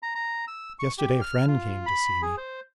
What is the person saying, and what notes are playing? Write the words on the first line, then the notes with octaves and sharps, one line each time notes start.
Yesterday a friend came to see me.
A#5
A#5
E6
C#6
G4
F6
F4
B5
G#4
C5